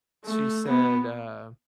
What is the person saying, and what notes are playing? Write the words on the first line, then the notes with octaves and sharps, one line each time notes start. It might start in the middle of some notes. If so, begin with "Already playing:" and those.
she said, uh,
A3
B3